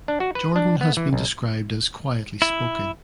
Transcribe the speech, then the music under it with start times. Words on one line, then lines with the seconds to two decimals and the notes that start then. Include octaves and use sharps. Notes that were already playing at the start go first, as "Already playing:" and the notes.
Jordan has been described as "quietly spoken".
0.08 D4
0.20 F#4
0.35 B4
0.56 D4
0.81 B3
0.97 E3
1.13 B1
2.42 E4